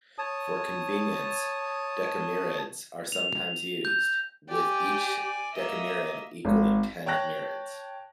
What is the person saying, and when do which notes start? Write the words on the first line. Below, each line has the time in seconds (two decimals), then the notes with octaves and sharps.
For convenience, "decamireds" are sometimes used, with each decamired equaling ten mireds.
0.18 C#5 A5 D#6
3.12 F7
3.85 G6
4.49 G4 D5 G#5
5.54 A#3 D#5 E5
6.45 G#1
7.06 C#5 G5 A5 F#6 A#6